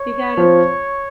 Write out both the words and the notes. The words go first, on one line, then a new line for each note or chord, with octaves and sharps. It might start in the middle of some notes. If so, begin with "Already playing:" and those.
he got his
Already playing: C#5
F3 C4 F4